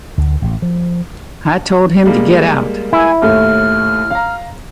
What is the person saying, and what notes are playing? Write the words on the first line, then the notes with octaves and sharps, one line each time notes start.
I told him to get out.
D2
A1
F3
G3 G#3 A#3
E4 G#5
D#2 A2 A3 F6
F5 A#5